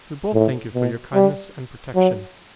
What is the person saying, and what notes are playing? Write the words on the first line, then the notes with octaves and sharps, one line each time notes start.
We both thank you for your kindness and protection.
A2
B2
G3
F#3